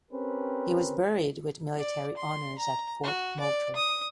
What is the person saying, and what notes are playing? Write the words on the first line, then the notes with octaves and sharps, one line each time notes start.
He was buried with military honors at Fort Moultrie.
C4 C#4 G4 A#4 B4
D5
C6
A#5
F#4
D5
D#6